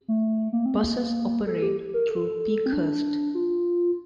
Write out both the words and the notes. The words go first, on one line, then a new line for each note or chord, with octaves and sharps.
Buses operate through Peakhurst.
A3
A#3
C4
A#3
A4
A4
G4
A#4
A4
C4
D4
F4